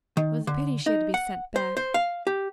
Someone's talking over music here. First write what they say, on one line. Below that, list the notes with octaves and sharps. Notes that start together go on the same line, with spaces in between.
It was a pity she had to be sent back.
D#3
D3
D#4
F#5
C5
C5
F5
G4